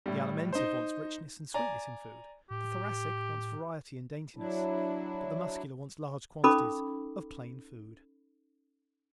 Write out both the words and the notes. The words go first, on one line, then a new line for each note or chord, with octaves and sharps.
The Alimentive wants richness and sweetness in food, the Thoracic wants variety and daintiness but the Muscular wants large quantities of plain food.
A2 G3
D#4 C5
D5 G#5 A#5
A2 G4
F#3 D4 E4
C#4 D#4 A4 B5 D6